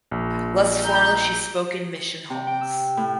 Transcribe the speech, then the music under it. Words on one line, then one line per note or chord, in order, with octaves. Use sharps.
Less formally she spoke in mission halls.
A#1
A#5 G6
C3
G5
E6
A2